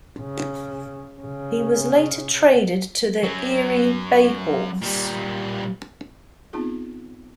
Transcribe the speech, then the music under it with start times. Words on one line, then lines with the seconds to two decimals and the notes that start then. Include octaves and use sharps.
He was later traded to the Erie BayHawks.
0.21 C#3
1.22 C#3
3.23 F#3 C#4
4.81 A#2 G3
6.53 B3 C4 D#4 F4 G#4